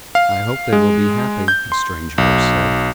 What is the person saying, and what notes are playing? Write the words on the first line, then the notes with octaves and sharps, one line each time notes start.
"I hope they will be happy," a strange voice said.
F5
G#3
G6
C6
B1